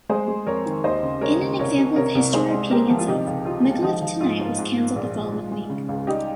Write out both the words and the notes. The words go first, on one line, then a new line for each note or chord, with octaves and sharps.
In an example of history repeating itself, Micallef Tonight was cancelled the following week.
G#3 G#4 C5
G#3
F2 A#4 C#5
D#3
D#2 C5 D#5
C#3
G#3 A#4 C#5
C#3
C2 A#4 C#5
C3
C3 A#4 C#5
C2
G#3 G#4 C5
G#3
G#3 G4 A#4
F3
F4
C3 D#4 G4
C#2
C3 F4
G#3
F3 D#4
F3
G#2 F4
G#2
G#2
A#3
A#1
A#1
G#3
G#3
C#3
C#2
G3 D#4 G4